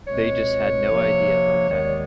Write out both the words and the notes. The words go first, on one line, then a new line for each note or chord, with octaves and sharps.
They just have no idea about that.
C#2 B2 G#3 C4 C#5
C3 F3 A#3 D4
D#2 D#3 G#3 B3 C#5
D5